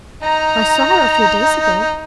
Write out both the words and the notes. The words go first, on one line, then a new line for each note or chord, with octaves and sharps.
"I saw her a few days ago."
D#4 A#5